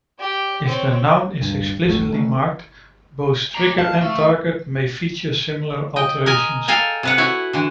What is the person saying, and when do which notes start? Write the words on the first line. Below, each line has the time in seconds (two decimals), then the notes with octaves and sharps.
If the noun is explicitly marked, both trigger and target may feature similar alternations.
0.19 G4 D5
0.66 C4 C#5
1.42 D1 G2
1.86 D1 G1 A3
2.11 D#3 A3 C#4
3.55 D5 A#5
3.78 F5 A5
4.01 A3
5.96 D#5 G5
6.26 A#4 D#5 G#5
6.68 A4 F5 G5 G#5 A#5
7.03 C3 B4 F#5
7.18 E4 F#4 C#5
7.53 D3 E3